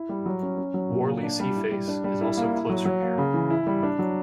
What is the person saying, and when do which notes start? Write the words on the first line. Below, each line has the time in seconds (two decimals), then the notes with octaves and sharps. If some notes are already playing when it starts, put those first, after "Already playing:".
Worli Seaface is also close from here.
Already playing: E4
0.09 G3
0.26 F#3
0.43 C#4
0.58 C#4
0.74 F#3
0.90 A#2
1.07 A#3
1.23 D4
1.40 G3
1.56 E4
1.71 G3
1.88 D4
2.04 G3
2.21 E4
2.37 A#3
2.53 E4
2.69 F#3
2.85 F#3
3.02 A#3
3.18 C#3
3.34 E3
3.50 E4
3.67 G3
3.83 D4
3.99 F#3